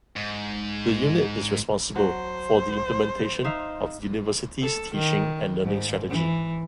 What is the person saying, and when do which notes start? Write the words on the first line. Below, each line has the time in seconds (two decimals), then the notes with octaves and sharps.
The Unit is responsible for the implementation of the university's Teaching and Learning Strategy.
0.16 G#2
1.96 F#3 C5
3.44 D#4 E5 F5
4.62 A4
4.95 D#3
5.64 G#2
6.10 E3